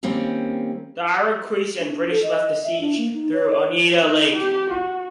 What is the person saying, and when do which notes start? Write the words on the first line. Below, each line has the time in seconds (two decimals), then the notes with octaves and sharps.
The Iroquois and British left the siege through Oneida Lake.
0.03 D#3 G3 A#3 C4 C#4
1.79 D4
2.10 A4
2.23 D#5
2.64 E5
2.80 D4
2.97 A#3
3.14 D#4
3.33 C#5
4.02 D#4
4.34 G4
4.70 F#4